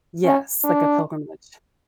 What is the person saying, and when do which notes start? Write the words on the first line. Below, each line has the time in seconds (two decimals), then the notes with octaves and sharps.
Yes, like a pilgrimage.
0.25 C#4
0.64 D4